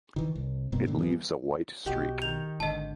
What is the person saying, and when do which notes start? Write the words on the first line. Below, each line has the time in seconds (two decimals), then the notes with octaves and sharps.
It leaves a white streak.
0.16 D#3 E3
0.35 C2
0.72 G2 B2 A#3 C4
0.86 G#2 B2 D3 D#3
0.98 E3 G3 B3
1.86 B1 F#4 G4 D#5 F#5
2.22 D#3 D#4 G6 F7
2.60 G#1 D3 D#5 A5